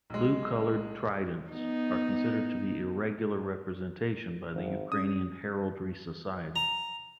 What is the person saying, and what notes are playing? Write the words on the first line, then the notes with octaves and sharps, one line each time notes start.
Blue colored tridents are considered to be irregular representation by the Ukrainian Heraldry Society.
B1 G#3
B3 D#4
G#1
C#4 D#6
A#5